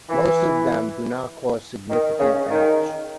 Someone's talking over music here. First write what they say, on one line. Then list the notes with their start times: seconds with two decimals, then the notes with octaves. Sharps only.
Most of them do not cause significant damage.
0.09 E3
1.90 D#3
2.20 C#3
2.50 D#3